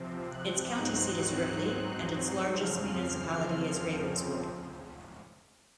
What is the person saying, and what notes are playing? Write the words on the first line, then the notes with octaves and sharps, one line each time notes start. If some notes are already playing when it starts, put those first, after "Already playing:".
Its county seat is Ripley, and its largest municipality is Ravenswood.
Already playing: C3 F3 C4
F#6
G#2 F#3 C4 D#4 F#6
F2 C#3 F3 C4 F6